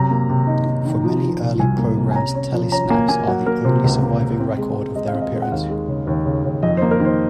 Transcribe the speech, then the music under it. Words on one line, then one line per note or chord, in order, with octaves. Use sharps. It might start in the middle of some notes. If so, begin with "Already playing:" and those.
For many early programmes tele-snaps are the only surviving record of their appearance.
Already playing: F#2 C3 A#5
A#3
C3
D#4
D#4
D#3
F3
F3
C3
C2 G#5
A#3
C3
G#5
C#4 A#5
C#4
F3
C#4 A#5
A#3 G#5
A#3 G#5
F#3 F#5
A#3 A#4
C3 C5
C#2
A#3
C3
C4
G#3
G#3
G#3 D#5
F5
C4
D#5
G#3
F#5
D#2 F5
G#3
C#3
D#2
C#3
D#2
F2 D#5
A#3 C5
A#4
D#3 C5